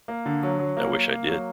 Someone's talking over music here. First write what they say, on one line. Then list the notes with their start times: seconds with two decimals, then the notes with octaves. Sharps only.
I wish I did.
0.08 A#3
0.26 D3
0.43 F#3
0.59 F#3
0.77 A#3
0.94 A#3
1.11 A#3
1.28 F#3